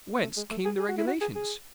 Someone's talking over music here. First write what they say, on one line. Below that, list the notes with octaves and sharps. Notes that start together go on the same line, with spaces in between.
Whence came the regulations?
A3
G#3
A3
G#4
G#4
F#4
E4
F#4
G#4
G#4